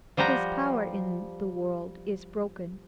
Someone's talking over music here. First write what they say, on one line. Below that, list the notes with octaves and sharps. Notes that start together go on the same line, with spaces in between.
His power in the world is broken.
F3 G3 G4 F#5 A#5